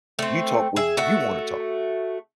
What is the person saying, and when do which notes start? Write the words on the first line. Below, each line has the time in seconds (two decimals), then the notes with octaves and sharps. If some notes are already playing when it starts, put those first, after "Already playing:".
you talk when you wanna talk.
0.19 A3 C4
0.76 G#4 E5
0.97 A3 F#4 E5